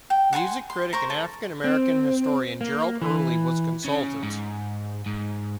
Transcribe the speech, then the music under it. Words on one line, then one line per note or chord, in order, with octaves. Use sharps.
Music critic and African-American historian Gerald Early was a consultant.
G5
F#5 G#5 A5 C6
C6
A#4 C5 C#6
A4
C4
A#3
E3
C#3
G#2
G#2